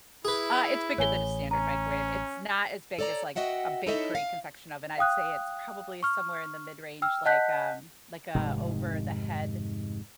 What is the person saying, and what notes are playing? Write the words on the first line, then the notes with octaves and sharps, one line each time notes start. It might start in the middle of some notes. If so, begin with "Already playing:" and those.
Uh, it's bigger than a standard microwave. It's not as big as, like, a bakery confection oven. I'd say it's probably somewhere in the mid-range, like, um like, a over the head,
E4 G#4 B4
A1 C#5 G#5 G7
C#4 A#5
A4 C#5 D5 F#5 A#5
F#4 D#5 E5 F#5 G5
D#4 E4 A4 C#5 D#5 E5
F5
F5 G5 D#6 F#6
C#6 F6
G5 E6 F6
D#5 F#5 A5 F#6 G6 B6
F1 G#2 C3 D#3